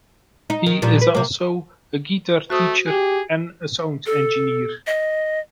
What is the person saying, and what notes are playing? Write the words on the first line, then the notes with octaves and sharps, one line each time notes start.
He is also a guitar teacher and a sound engineer.
D#4
D#3
A#2 F3 G3
B4
C3 A#3
A3 F#4 C5 D#6
G4 G#4
A4
D#5